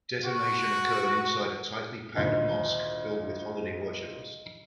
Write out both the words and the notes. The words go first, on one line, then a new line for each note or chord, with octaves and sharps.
Detonation occurred inside a tightly packed mosque, filled with holiday worshippers.
F#4
G#1 D2 A#2 D#5